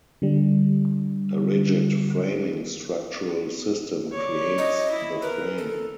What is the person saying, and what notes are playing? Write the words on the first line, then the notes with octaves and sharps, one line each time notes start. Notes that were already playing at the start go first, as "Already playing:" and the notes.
A rigid framing structural system creates the frame.
D3 G3
C#5 D5
D#5
E4
A#4 B4
A4